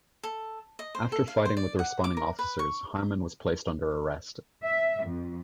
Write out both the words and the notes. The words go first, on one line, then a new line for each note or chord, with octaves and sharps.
After fighting with the responding officers, Harmon was placed under arrest.
A4
D#5
C5
A4
F5
C5
D5
F#5
D6
A#4
B4
C#6
E5
F2